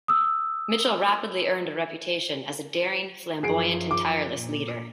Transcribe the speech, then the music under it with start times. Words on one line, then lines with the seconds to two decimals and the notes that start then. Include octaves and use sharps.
Mitchell rapidly earned a reputation as a daring, flamboyant, and tireless leader.
0.08 D#6 E6
3.43 F#2 F3 G#4 C7 D7
3.91 D6
4.36 A#2